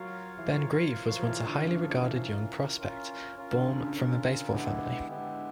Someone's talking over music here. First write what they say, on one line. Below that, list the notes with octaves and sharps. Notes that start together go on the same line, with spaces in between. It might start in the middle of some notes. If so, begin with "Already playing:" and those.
Ben Grieve was once a highly regarded young prospect, born from a baseball family.
Already playing: F#3 F4 A#4 C#5 F5
E3
F3 F4 A#4 C#5 F5
F3 F4 A#4 C#5 F5
F3
E3
D3
C#3 F4 A#4 C#5 F5
F3
E3
C#4 F4 A#4
C#4 F4 A#4
C#4 F4 A#4
D3
C#3
D3
C#3
C#4 F4 A#4
D3 G#3 B3 E4 G4
D3 G#3 B3 E4 G4